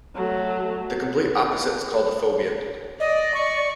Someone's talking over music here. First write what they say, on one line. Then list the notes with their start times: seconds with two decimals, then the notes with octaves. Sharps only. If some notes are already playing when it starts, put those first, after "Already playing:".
The complete opposite is called a phobia.
0.16 F#3 A3
3.00 D5 D#5
3.34 C#6